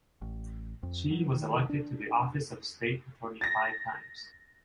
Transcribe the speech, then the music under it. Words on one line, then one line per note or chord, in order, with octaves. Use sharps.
She was elected to the Office of State Attorney five times.
A1
F2
F#3
D#3
D4
A6 A#6